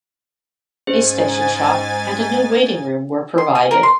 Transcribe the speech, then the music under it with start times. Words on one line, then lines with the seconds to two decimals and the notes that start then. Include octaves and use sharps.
A station shop and a new waiting room were provided.
0.87 G#2 C#4 G#4 C5 G#5 A6
3.38 C6
3.55 G#5
3.71 A#4
3.83 C6